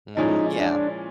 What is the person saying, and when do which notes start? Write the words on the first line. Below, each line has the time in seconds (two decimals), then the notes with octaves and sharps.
Mhm, yeah.
0.16 A#2 F3 G#3 C#4 D#4 E4
0.58 D4